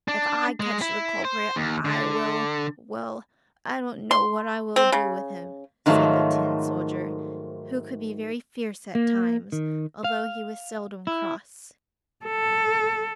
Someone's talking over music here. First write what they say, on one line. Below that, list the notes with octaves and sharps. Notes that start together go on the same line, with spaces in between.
"If I catch the culprit, I will--well, I don't know what I will do with him!" said the tin soldier, who could be very fierce at times, although he was seldom cross.
D4
G#3
E4
C5
D#2
D3
C6
C4
C#3
G#2 D#3 F3 F#3 A3
A#3
D#3
F5
E4
A4